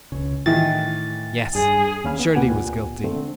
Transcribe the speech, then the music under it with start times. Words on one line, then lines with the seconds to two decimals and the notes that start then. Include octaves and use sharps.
Yes, Shirley was guilty.
0.12 C#2 C#3
0.46 A2 D#3 E3 A6
1.55 G2 G#4
2.04 D#2 C#4 F5 B5 F6
2.19 B3
2.35 D2 A#2 B3 G4 F#5 G#5
3.04 D3 A3 C4